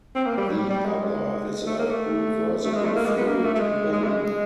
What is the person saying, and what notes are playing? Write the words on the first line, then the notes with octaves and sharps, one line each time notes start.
The other is a "reversible fluid" balloon.
C4
A#3
G3
F#3
G3
G3
G#3
A3
A#3
A3
A3
G#3
A3
A#3
G#3
B3
A#3
A3
A3
G#3
G#3
A3
G#3
G#3